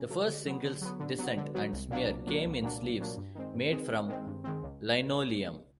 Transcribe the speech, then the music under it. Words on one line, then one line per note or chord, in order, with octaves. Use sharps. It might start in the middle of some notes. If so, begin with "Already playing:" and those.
The first singles, "Dissent" and "Smear", came in sleeves made from linoleum.
Already playing: C#3
F#3 A3
D3
F#3 B3
D3
F#3 B3
D3
F#3 B3
D3
F#3 B3
C2
A#2 F#3 A#3 D4
C2
A#2 F#3 A#3 D4
C2
A#2 F#3 A#3 D4
C2
A#2 F#3 A#3 D4
G2
D#3 G#3 C4
G2
D#3 G#3 C4
G2
D#3 G#3 C4
G2
D#3 G#3 C4
C#2